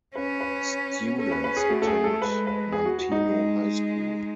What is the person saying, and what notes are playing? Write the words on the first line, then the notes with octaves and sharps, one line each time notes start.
Students attend Manteno High School.
C#4 B4
B4
C#4 A4
B4
B4
G#4
A3 F#4
A4
G#4
A4
G#3 B4
B4
G#4
F#4
F#4
D#4
G#3